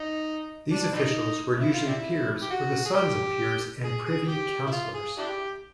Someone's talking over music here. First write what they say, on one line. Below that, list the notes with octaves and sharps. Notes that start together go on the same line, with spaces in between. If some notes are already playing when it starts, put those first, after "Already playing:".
These officials were usually peers or the sons of peers and Privy Councillors.
Already playing: D#4
D4
G3 C4 D#4
E4
F4
G3 C4 E4
G4
F#4
G#4
G4
G#4
G#4
G4
E4
F4
G#4
D4 E4 G4